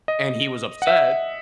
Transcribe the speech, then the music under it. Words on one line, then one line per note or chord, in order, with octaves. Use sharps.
and he was upset
D#5
F#5
E5